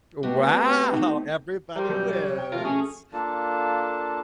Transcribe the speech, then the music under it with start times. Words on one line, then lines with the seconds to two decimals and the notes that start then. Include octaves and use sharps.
Wow! Everybody wins,
0.23 A3 B3 C4 F#4 G4
0.92 D#4
1.75 G3 A#4 C5
1.89 A#1 F#2 B2 G6
2.09 C#5
2.38 G5
2.52 B2 F3 A3 F4 A#4
2.65 C#4 G#4
3.13 A#3 D4 F4 A4 A5